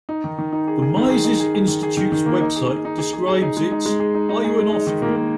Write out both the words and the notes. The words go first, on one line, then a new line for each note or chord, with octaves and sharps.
The Mises Institute's website describes its Are You An Austrian?
D#4
D#3
D#3
D#4
G#4
G#4
D#3
G#4
D#4
G#4
G#4
D#3
G#4
D#3
D#3
A#3
D#4
G#4
G#4
D#4
G#4
G#4
G#4
D#4
G#3
D#4
G#3
G#4
D#4
D#4
G#4
G#3
D#4
D#3
A#3
A#3